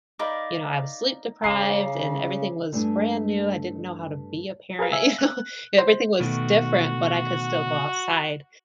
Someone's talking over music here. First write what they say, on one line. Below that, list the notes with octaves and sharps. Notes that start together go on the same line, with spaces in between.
you know, I was sleep deprived and everything was brand new, I didn't know how to be a parent, you know? Everything was different, but I could still go outside,
D#4 A#4 D5 F5 B5 D6
C#3 F5 A#5 D6 C7
G2 A3 D4 G#5
G#4 A#4 B4 F5
E5 F5 G#5 E6
F#6
C5
B2 D#3 A3 F#4